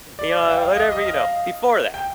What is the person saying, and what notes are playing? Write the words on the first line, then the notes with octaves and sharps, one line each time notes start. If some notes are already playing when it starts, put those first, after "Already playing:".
you know, whatever you know, before that,
D5
D5
F5
G5
F5
D#5
D#5
F5
G5